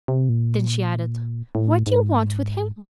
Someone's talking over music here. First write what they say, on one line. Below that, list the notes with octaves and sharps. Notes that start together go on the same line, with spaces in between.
Then she added: "What do you want with him?"
C3
A#2
A2
G#2